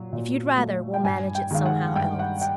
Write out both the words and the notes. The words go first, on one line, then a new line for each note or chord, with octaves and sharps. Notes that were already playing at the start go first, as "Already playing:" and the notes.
If you'd rather, we'll manage it somehow else.'
Already playing: A#2 F#3
A#2
F#3 A3
G5
G2 G#5
G5
D#3 G#3 F5
F#5
G2 G5
F#5
G5